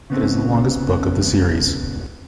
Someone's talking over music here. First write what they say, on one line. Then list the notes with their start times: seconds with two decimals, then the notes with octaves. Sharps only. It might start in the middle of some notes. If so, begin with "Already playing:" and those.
It is the longest book of the series.
0.10 C#3 B3 C4